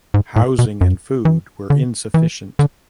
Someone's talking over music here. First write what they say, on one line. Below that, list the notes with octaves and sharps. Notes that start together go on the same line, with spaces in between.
Housing and food were insufficient.
G#2
A2
B2
F#2
E3
D3
E3
D3